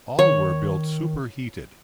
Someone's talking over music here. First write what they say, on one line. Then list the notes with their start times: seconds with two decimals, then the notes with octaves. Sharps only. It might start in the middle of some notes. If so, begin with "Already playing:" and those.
All were built superheated.
0.19 D#3 C#5